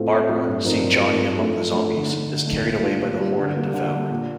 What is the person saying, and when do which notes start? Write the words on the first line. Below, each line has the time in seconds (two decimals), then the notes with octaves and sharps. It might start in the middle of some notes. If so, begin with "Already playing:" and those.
Barbra, seeing Johnny among the zombies, is carried away by the horde and devoured.
Already playing: A2 A3 C4 F4 A4
0.10 A2
0.29 A3 C4 F4 A4
0.47 G2
0.65 F3 C4 D#4 A#4
0.83 G2
1.01 F3 C4 D#4 A#4
1.20 F3
1.37 A3 D4 A4
1.55 F3
1.74 A3 D4 A4
1.92 D3
2.10 A3 D#4
2.28 D3
2.47 A3 D#4
2.65 A#2
2.83 G3 D4 F4
3.01 A#2
3.19 G3 D4 F4
3.38 D3
3.56 G3 A#3
3.74 D3
3.92 G3 A#3
4.10 A#2